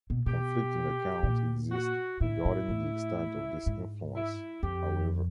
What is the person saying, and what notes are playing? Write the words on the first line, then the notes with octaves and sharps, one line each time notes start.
Conflicting accounts exist regarding the extent of this influence, however.
B2
B2 G4
A#2
F#4
A2 E4
A2
A2
G#2
E4
F2 G4